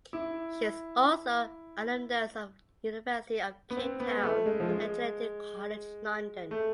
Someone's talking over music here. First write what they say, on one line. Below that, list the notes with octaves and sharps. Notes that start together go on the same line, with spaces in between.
She is also an alumnus of University of Cape Town and Trinity College London.
E4
B3
C4
B3
G#3
A3
G#3
F3
G#3
A3